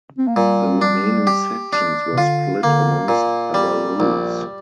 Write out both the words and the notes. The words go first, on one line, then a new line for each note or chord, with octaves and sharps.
The remaining sections were split amongst other routes.
C4
A#3
A#2 G3
D4
G4
D4
C3
D3 F4
D3 A#3
A#2
G3
A#1